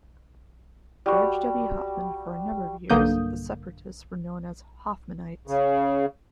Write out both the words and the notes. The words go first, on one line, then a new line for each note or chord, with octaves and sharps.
George W. Hoffman, for a number of years the separatists were known as "Hoffmanites".
G3 F#4
B1 G2 D3 A#3 D#6 G6
C#3